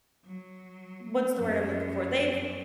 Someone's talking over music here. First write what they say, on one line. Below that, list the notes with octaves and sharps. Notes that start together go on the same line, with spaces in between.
what's the word I'm looking for they've
F#3
F#2 F#3